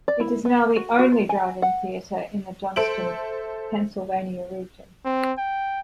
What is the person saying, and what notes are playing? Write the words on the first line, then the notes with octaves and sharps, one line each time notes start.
It is now the only drive-in theater in the Johnstown, Pennsylvania region.
D5
E4
B3
F#4
F#4
F4
G#5
F#5
A4 C5 E5 D7 F#7
C4
G5